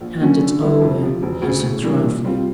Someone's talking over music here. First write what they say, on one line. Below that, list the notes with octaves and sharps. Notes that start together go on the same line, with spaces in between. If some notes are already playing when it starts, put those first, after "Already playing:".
"Hand it over," he said roughly.
A#1
A#2 F#3 A#3 C#4
D3
G3 B3 E4
F2
C3 F3
E1
D2 C#3
A2
E3 G3 A#3 D4
A#2
G3 C4 F4